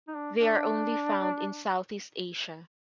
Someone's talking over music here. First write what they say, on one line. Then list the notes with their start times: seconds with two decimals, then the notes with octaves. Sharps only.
They are only found in Southeast Asia.
0.08 D#4
0.15 D4
0.38 D4